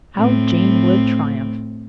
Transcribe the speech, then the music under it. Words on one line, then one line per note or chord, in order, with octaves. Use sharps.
How Jane would triumph!
A2 C4